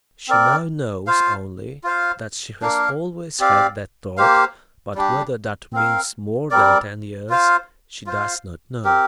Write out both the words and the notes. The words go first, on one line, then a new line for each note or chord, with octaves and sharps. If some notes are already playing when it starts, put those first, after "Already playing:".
She now knows only that she has always had that thought, but whether that means more than ten years, she does not know.
C4 A#4 D5
F4 C5 F5
F4 C5 F5
A#3 D4 A#4 F5
C4 G4 D5 F5
A#3 G4 C5 F5
G3 D4 G4
C4 A#4 F5
G3 C4 A#4 D5
F4 C5 F5
F4 C5 F5
C4 G4 A#4